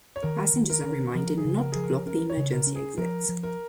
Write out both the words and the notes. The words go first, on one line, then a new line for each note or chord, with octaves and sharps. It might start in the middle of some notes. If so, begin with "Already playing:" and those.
Passengers are reminded not to block the emergency exits.
C#5
D#3 A#4
D#3
A#4
C#4
F3 A#4
G#4
C#3
A#4
F3 G#4
A#4
C#4 A#4
C#5
C#3
A#4
C#4
G#4
F3 A#4
F3
A#4